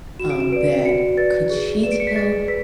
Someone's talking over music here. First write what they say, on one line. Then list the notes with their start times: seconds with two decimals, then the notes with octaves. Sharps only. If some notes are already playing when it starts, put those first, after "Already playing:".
um, that could she tell h
0.19 F#4 E7
0.30 D7
0.40 E7
0.52 B4 D5 D7
0.85 F#4 C#7
1.17 B4 D5 A6
1.50 G#4
1.83 B4 D5 E7
1.92 D7
2.00 C#7
2.07 B6
2.16 G#4 A6
2.48 B4 B6